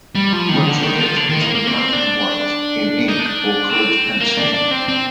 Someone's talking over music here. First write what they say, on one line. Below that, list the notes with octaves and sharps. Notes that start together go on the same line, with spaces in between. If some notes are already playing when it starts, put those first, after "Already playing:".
Much of it is in black-and-white, in ink or colored pencil.
G3
F3
D#3
D3
D#3
F3
D3
D#3
A#3
A#3
C4
D4
D#4
D4
C4
A#3
D4
D4
C4
C4